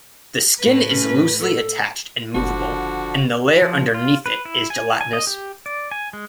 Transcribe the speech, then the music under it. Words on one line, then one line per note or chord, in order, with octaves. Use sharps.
The skin is loosely attached and movable, and the layer underneath it is gelatinous.
A2 B4
C#4
A4
F#1 D3 F3 D4 F#4
F3
F4
B4
E4
G#5
G#5
D#5
G4
D5
G#5
G#3